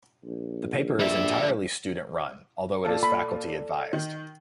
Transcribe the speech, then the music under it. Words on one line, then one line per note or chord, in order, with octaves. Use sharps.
The paper is entirely student-run, although it is faculty-advised.
A#1
D2 G3 D4 E5
A#2 F4 A4 D5 A5
B5
D#3